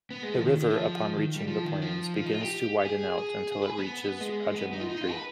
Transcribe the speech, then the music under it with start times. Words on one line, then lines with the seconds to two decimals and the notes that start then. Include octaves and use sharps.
The river upon reaching the plains begins to widen out until it reaches Rajamundry.
0.11 B3
0.23 G#3
0.34 F3
0.45 D#3
0.62 D#3
0.70 F3
1.13 D#3
1.36 G3
1.47 F3
1.65 D#3
1.82 F3
2.16 F3
2.25 D#4
2.33 F4
2.41 G4
2.85 G#4
3.18 G#4
3.52 G#4
3.62 B4
3.70 G#4
3.78 B3
4.20 G#3
4.55 B3
4.73 D#4
4.80 F4
4.89 D#4
5.01 F4
5.12 B4